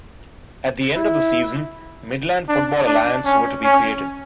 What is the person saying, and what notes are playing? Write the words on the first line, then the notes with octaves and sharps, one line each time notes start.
At the end of the season Midland Football Alliance were to be created.
E4
D4
D4
C#4
C#4